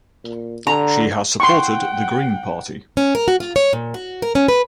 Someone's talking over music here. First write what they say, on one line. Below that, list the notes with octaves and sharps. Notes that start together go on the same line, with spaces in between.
She has supported the Green Party.
A#2
D3 A#5
F#5 G5 C6 C#6
C#4
A#4
F#4
F4
C#5
A#2
F#4
A#4
C#4
B4